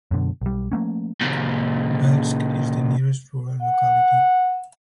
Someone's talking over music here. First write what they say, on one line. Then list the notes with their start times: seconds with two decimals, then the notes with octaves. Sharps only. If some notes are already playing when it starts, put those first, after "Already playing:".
Velsk is the nearest rural locality.
0.11 F#2 B2 D3
0.41 B1 G3
0.72 F3 A3 A#3 C#4
1.21 A#2 C#3
3.62 F#5